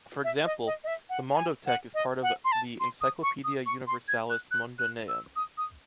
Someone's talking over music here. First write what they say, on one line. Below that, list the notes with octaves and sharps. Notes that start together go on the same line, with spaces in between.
For example, the Mondothèque is part of the Encyclopedia Universalis Mundaneum.
E5
D#5
D#5
D#5
E5
F#5
A5
G#5
F#5
D#5
F#5
C6
A5
C6
D#6
C#6
D#6
C#6
C6
G#6
F#6
F#6
F#6
E6
D#6
D#6